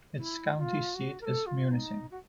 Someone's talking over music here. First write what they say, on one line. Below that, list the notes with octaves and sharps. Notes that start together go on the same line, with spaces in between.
Its county seat is Munising.
E4
F4
F#4
A#4
A4
F4
D#4
F#4